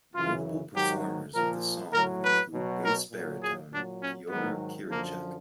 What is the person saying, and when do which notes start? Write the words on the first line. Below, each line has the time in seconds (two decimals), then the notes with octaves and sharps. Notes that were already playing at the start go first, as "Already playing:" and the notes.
Notable performers of the song include bass-baritone Pyotr Kirichek.
0.14 F#2 C#3 E3 F4
0.74 G#2 D#3 F#3 G4
1.34 A#2 F3 A#4
1.93 A2 F#3 A#4
2.23 B4
2.53 B2 F#3
2.83 A#4
3.11 A#2 F#3
3.42 G#4
3.71 A#2 F#3 D4
4.01 C#4
4.30 G#2 D#3 F#3 B3
4.90 F#2 D3 F3 A#3